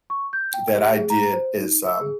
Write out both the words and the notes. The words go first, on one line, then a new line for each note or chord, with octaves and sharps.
that I did is, um,
C#6
G6
G5
G4
G#4
A#5
C5
D#4
E6
G#4